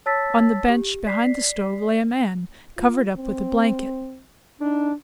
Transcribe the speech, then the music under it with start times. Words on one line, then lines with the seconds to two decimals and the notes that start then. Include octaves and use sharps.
On the bench behind the stove lay a man, covered up with a blanket.
0.06 C#5 A5 E6 A6 B6
0.69 G4
1.06 D5 B6 C7
2.77 F4
3.17 C4
4.61 D4 D#4